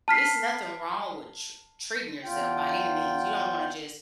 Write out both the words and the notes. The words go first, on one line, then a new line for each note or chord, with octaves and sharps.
it's nothing wrong with tre treating yourself by any means. You don't wanna just
A5 F6 B6 C7
E2 F4 G5